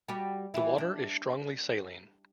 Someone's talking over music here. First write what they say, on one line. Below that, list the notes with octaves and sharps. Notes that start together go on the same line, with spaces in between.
The water is strongly saline.
G3 F#4 G4
E3 G3 E4
D4